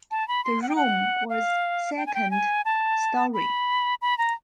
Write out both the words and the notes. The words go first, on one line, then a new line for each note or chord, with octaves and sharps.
The room was second storey.
A5
B5
C6
F#5
G5
F#5
F5
G5
G#5
G5
G#5
A5
B5
B5
A#5